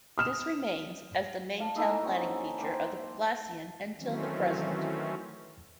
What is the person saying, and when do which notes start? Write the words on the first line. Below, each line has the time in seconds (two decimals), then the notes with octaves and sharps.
This remains as the main town-planning feature of the poblacion until the present.
0.18 D#6 F6 E7
1.60 F5 A5
1.75 A#3 D#4 E4 A4
2.03 F#3 C4 C#4
2.59 A#3 C5 G5
3.97 D#3 E3 F#3 A3 C4 C#4